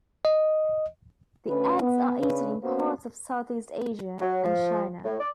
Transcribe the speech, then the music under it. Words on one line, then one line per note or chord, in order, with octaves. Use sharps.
The eggs are eaten in parts of Southeast Asia and China.
D#5
D2 C#4 B4
B3
C#3 C#4 D4 B4
A#3 B3 C#4 F#4 C5
F#3
F3
A2
D5